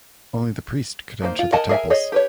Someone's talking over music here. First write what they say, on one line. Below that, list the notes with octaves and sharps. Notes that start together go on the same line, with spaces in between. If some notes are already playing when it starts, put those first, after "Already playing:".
Only the priests could enter the temples.
D#3 A#3 C5
F4
A#4 D#5 F#5 G#5 A5
G#4 A#4 D#5 E5 G#5
G#4 C#5 D#5
G4 B4 C#5